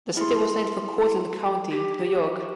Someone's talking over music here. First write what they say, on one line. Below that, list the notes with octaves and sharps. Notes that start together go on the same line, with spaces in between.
The city was named for Cortland County, New York.
E4 G#4 C6
G4